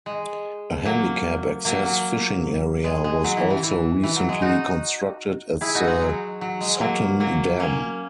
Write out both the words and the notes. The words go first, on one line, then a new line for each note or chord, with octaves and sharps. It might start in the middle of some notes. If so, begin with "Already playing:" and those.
A handicap-access fishing area was also recently constructed at the Sutton Dam.
G#3
F#3 A#3
F#3 A#3
F#3
G#3
G#3
F#3
E3
E3
E3
E3
F#3
G#3
D#4 F#4
E4 G#4
D#4 F#4
G#3
F#3
F#3
G#3
F#3 A#3
F#3 A#3
A#3 C#4